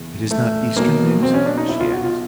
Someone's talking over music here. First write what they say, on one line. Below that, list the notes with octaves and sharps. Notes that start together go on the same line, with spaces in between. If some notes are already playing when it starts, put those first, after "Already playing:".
"It is not Eastern news?" she asked.
Already playing: F#1 E2 C#3 E3
A3
B1 B2 A#3
C4
C#4
D4
D#4
E4
F4
F#4
F4